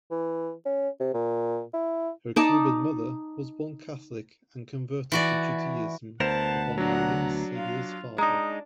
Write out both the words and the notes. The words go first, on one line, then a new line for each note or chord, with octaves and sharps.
Her Cuban mother was born Catholic and converted to Judaism upon marrying Sigler's father.
E3
C#4
C3
A#2
E4
D#4 D5 A5
E3 F#4 D5
D2 B3 A#4 C5 F#5 A5 E7
F#3 D4 F#5 A#5
F4 F5
G#3 D4 D#4 A#5 D#6